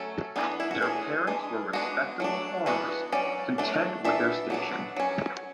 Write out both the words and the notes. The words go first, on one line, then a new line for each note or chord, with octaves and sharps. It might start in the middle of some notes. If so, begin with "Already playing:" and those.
Their parents were respectable farmers, content with their station.
Already playing: F#3 A3 C#4 A4
E3 B3 D4
E4
F#4
E3 A3 C#4 G#4
E3 G#3 D4
G#3 B3 D4 F#4
F#3 A3 D4
E3 B3 D4 F#4
F#3 C#4 D5
F#3 A3 D4
E3 B3 D4 E5
F#3 B3 D4
F#3 C#4